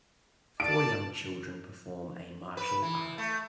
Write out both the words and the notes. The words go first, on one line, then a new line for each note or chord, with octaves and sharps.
Four young children perform a martial art.
D5 A5 D7
B4
E3
A3